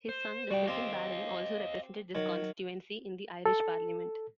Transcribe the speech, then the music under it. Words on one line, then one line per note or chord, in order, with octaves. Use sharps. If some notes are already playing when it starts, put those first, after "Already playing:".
His son, the second Baron, also represented this constituency in the Irish Parliament.
C5
G3 F#4 G5
C4 G4 D#5 F5
D#3 F#3
A4